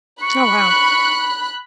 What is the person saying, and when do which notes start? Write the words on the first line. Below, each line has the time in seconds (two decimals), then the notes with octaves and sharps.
Oh, wow.
0.22 B5 C#6 F#6